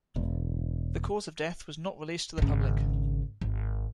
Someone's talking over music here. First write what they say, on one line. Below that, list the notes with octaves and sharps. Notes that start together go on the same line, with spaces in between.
The cause of death was not released to the public.
E1
G#1 C#3
G#1